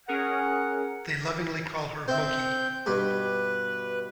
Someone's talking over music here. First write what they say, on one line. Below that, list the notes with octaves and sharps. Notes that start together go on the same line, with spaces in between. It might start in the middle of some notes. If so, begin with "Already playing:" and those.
They lovingly call her Monkey.
C#4 G#4 A#4 F#5
C4 C5 E5 G6
G2 B2 G4 B4